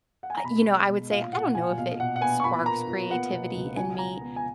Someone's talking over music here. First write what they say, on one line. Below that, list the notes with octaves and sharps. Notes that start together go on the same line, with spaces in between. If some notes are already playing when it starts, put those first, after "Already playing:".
uh, you know, I would say, I don't know if it sparks creativity in me,
F#5
G#5
A#5
B2 B5
G#3
B2
A#2 F5
A#2 F#5
A#2 G#5
B2 F5
B2 F#5
F#5
B3 G#5
C#6
A#2 B5
A#3 A#5
A#2
B3 F#5
B2
C#2
F3 G#5
G#5
F3 A#5
B3
G#5